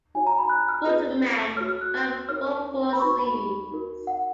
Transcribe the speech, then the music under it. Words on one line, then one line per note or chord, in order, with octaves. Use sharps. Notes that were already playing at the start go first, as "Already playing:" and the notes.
"Button Man" ran for four series.
D#4 F#4 C#5 G#5
A#5
B5
F#6
F6
F4 G#4 B4
F#4 C#5 F6
F6
F#6
D#4 A#4 C#5 F6
B5
D#4 F#4 B4 C#6
B5
D#4 F#4 A#4
F#5